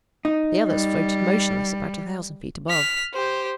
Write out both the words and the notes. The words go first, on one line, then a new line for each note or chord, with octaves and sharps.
The others floated motionless about a thousand feet above.
D#4
G3
F6 B6
G4 C5